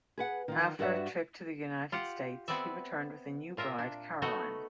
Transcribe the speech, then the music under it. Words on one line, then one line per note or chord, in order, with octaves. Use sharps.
After a trip to the United States, he returned with a new bride, Caroline.
G#4 B4 F#5
D#3 D#4 F4
G2 F#4 B4 D5 E5 F#5
F4 G4 F#5
B3 C4 B4 D5 E5
A#2 F4 A#4 E5
D4
A3 B3 D#4 F#4 D#5